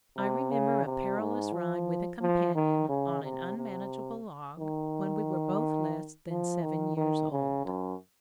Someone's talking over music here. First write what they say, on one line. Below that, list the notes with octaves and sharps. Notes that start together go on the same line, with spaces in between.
I remember a perilous ride with a companion on an unmanageable log, when we were both less than seven years old.
C3
C#3
C3
G#2
F3
F3
D#3
C#3
C3
C3
D#3
F3
D#3
D#3
C#3
F#2